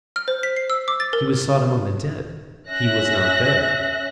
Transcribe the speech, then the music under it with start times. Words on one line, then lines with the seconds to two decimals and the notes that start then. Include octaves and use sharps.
He was sought among the dead, he was not there.
0.16 F6
0.28 C5
0.43 B6
0.57 C7
0.70 E6
0.88 D6
1.00 A6
1.13 A#4
2.70 C#4 E5 F#6 A#6